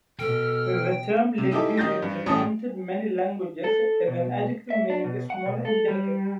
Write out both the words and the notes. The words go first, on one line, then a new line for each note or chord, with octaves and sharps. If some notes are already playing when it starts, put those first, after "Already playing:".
The term "Lilliputian" has entered many languages as an adjective meaning "small and delicate".
B2 A4 G5 F6
C3
D#4 E4 G4 A4 D6
D#3 D#4 G4 G6 A6 A#6
G2
A1 A2 C#4 A5 D#6
A4
B2
E5
D4
B2
F#5
B2
A4
G3